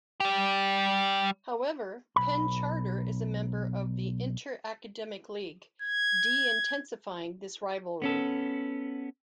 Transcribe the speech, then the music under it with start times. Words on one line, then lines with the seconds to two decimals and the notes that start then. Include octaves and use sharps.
However, Penn Charter is a member of the Inter-Academic League, de-intensifying this rivalry.
0.20 G3 G4
2.16 B1 B5
5.82 G#6
8.02 B3 C#4 A4